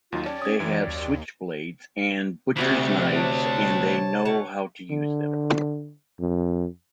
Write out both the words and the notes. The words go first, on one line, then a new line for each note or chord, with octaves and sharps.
They have switchblades and butchers knives and they know how to use them.
D#2 F#3 D#4 F4
C#4 G4 C#5 D5 A5
D#6 G#6
F#2 E3
D#2
D2 C3 F#4 B5
C#5 A5
B2 C#5 F#5 A5
D3
F2